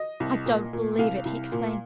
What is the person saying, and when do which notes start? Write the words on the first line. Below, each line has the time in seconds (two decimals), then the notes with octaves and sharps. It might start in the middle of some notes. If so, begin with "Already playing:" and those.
'I don't believe it,' he exclaimed.
Already playing: D#5
0.20 C2
0.46 A#2
0.73 A#2
0.99 C2 F5
1.25 C2
1.52 A#2